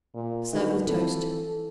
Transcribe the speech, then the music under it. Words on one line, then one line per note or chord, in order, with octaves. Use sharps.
Serve with toast.
A#2
D3 D#3 F#4 B4
E3 C4 E4 A4